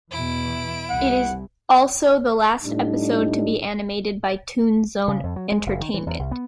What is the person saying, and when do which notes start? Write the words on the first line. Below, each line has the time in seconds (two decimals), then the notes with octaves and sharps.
It is also the last episode to be animated by Toonzone Entertainment.
0.11 E2 B2 E3 E4 D7
0.89 C2 F#5
2.64 A2 G3 D4 D#4
5.08 C#3
5.23 F2
5.36 F#3
5.52 G#3
5.66 F#1
5.81 D#3
5.94 E3
6.07 E2
6.19 C2
6.31 B3